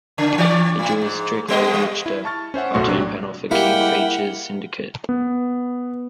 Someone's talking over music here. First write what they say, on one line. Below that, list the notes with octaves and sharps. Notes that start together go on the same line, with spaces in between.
He drew his "Strictly Richter" cartoon panel for King Features Syndicate.
C#3
E3 D5
A2
G#2
G3 B3 D#5
G3
E4
A5 C#6 F6 A6
C#4 C5 E5 F#5
B1 F#2 A2 A3 F#4 C6
C3 F#3 D4
G3 G#3 A#3 E4 G4 F#5 G5
B3